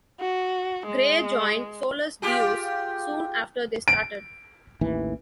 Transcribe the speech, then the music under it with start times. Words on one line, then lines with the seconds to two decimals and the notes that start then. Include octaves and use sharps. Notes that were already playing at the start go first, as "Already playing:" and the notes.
Gray joined Solus Deus soon after they started.
0.20 F#4
0.86 G#3
2.22 F4 G4 G#4
3.88 D7
4.81 A1 D#2 E3